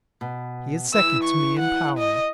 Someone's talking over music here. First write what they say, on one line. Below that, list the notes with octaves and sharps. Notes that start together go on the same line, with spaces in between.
He is second to me in power.
B2
E3 E6
C#6
F#5
D#5